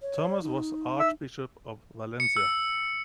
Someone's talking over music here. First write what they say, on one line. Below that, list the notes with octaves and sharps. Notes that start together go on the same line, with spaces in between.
Thomas was Archbishop of Valencia.
C#5
D#4
E5
C#7
E6